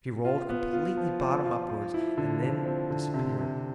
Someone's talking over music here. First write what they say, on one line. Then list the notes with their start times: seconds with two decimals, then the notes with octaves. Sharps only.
She rolled completely bottom upwards, and then disappeared.
0.25 F4
0.49 B3
0.73 F4
0.97 F3
1.21 F3
1.45 F4
1.69 F3
1.94 E4
2.17 D3
2.42 F3
2.66 C4
2.90 D3
3.14 C3
3.39 C3